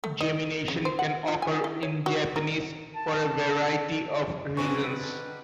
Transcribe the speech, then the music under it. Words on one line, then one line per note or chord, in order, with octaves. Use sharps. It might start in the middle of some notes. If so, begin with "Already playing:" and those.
Gemination can occur in Japanese for a variety of reasons.
A3
D#5
C#3
C5
F#5
F4
G#5
E4
C#5
F#4
A#4
A5
F#2 D3 D#3 G3 C4 B4 G#5 C#6